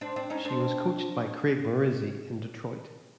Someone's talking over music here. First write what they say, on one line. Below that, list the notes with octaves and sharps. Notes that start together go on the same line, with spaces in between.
She was coached by Craig Maurizi in Detroit.
C4 D4
C4 D4
C#4 D#4
C4 D4